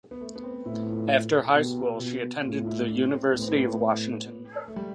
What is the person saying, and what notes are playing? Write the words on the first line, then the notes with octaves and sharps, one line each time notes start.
After high school she attended the University of Washington.
B3
A3
B3
C4
A2 E4
F4
F4
A4
B2 G4
F4
B2
A2 F4
F4
E4
D4
C4
A2 B3
C4
B3
A3
G3